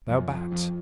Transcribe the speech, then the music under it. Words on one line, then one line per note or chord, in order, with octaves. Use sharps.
Thou bat!
F#2 F3
F2 F3
F2 F3